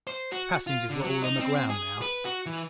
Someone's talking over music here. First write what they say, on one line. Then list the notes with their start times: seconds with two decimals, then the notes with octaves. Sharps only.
The passengers were all on the ground now.
0.07 C5
0.32 F#4
0.67 F4
0.90 D3
1.04 F#3
1.22 D#4
1.39 C4
1.69 G#4
2.02 B4
2.25 F#4
2.46 E3